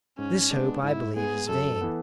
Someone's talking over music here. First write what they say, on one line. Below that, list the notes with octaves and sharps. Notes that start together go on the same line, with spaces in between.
This hope, I believe, is vain.
G#2 C#4
G#3 B3 D4
G#2 E4
G#3 B3 G#4
F#2 A4
E3 B3